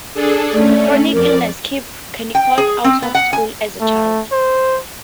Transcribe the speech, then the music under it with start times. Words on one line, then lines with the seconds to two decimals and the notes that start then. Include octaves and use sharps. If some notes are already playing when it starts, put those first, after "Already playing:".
Chronic illness kept Kennicott out of school as a child.
0.14 D4 G#4 A4
0.52 A3 C#4 D5
1.13 F2 A#4 D5
2.35 G5
2.58 G#4
2.84 C4
3.02 B3
3.15 F#5
3.33 G#5
3.81 A3
4.32 C5